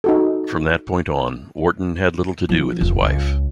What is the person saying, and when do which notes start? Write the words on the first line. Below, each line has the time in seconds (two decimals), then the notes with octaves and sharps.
From that point on, Wharton had little to do with his wife.
0.04 D#4 F#4 A4
2.49 F3
2.81 F1 F4
3.01 C#2